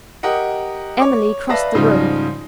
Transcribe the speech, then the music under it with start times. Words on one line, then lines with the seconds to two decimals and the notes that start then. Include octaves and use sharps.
Emily crossed the room.
0.23 G4 A#4 D#5 F#5
1.00 C#5 D6
1.49 B4 D5 E5 F5 A5 A#6
1.75 G#2 C#3 F3 G3 D#4